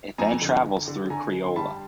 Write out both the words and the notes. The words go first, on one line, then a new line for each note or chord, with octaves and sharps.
It then travels through Creola.
F2 G#5 A#5
D3
D3
D3
D3 G#5 A#5
D3
C6
G3 A5 B5